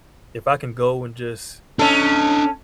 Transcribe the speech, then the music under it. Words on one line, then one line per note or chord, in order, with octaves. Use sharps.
if I can go and just
C#4 D4 A4 D#5